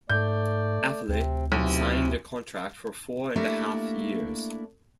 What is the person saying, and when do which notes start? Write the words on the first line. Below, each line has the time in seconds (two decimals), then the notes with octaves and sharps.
Afellay signed a contract for four-and-a-half years.
0.10 G#2 A3 D5 G6
1.08 D2 C3 C4
1.52 B1 C3 E4
3.36 A3 A#3 D4 E4 G4 A#4